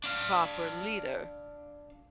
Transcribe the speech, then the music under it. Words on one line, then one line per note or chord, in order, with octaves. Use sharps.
proper leader
D4 F5